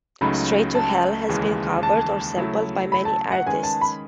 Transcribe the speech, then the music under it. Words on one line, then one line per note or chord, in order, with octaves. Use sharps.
"Straight to Hell" has been covered or sampled by many artists.
C#2 C#3 F#3 A3 D#4 B5
A5
D#2 C#3 E3 G#3 C#4
A5
C#3 F#3 A3 E4
B5
A5
F#5
D#3 G#3 C#4 G#4 B4 G#5
A5
B5